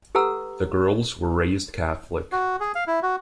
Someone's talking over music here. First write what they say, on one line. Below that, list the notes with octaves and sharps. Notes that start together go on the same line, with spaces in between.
The girls were raised Catholic.
G4 A4 B4 F#5 A#5 E6
F#4
G#4
F5
E4
F#4